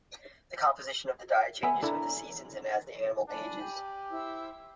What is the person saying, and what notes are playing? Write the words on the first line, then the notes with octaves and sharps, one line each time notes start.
The composition of the diet changes with the seasons and as the animal ages.
B3 E5 G#5
D4 E4 A4 A#5
D4 G#5 B5
G4
E4 C5 E6